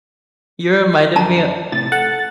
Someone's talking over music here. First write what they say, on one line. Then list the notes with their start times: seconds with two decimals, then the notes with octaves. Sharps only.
You reminded me, uh
1.16 F#2 D3 D4 A5 A#5
1.72 A2 C3 A6
1.92 A4 F#5